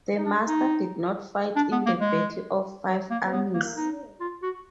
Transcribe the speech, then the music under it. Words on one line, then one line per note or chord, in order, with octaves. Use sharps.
The Master did not fight in the Battle of Five Armies.
D#4
D4
D#4
D4
B3
A#3
G#3
F#3
A#3
B3
A#3
D#4
F4
F#4